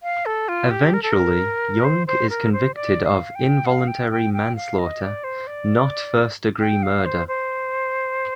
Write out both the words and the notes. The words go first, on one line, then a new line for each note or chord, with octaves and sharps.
Eventually Young is convicted of involuntary manslaughter, not first degree murder.
F5
A4
F4
G4
A#4
A4
A#4
C5
C5
A#4
C5
D5
F5
G5
F5
G5
G5
G5
F5
D#5
D5
C5
D5
G5
F5
C5
C5